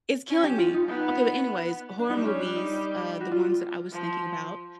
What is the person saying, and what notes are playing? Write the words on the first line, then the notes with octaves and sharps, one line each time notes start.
it's killing me. Okay, but anyways, horror movies, uh, the ones that I was thinking about,
C#4
G4
F4
D#4
B3 D#4
D4
G3 D#4
C#4
D4
D#4
F#4
F4
F3